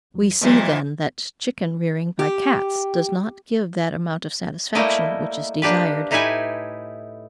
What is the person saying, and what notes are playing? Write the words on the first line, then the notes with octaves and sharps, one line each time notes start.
We see, then, that chicken-rearing by cats does not give that amount of satisfaction which is desired.
E2 F#3
F2 A#2 E3 F#3 G#3 B3
G4
G3 A3 A#3 E4 D#5 G5
A#3 D4 G4 B4
A2 D#4 E4 G4 B4 G#5